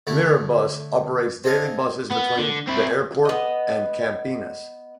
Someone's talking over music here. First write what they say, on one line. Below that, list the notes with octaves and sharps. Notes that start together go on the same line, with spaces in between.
Lirabus operates daily buses between the airport and Campinas.
D3 A3 E4
C4 A4 D#5 F5 G#5
B3
D3
C4 E4
B3 D#5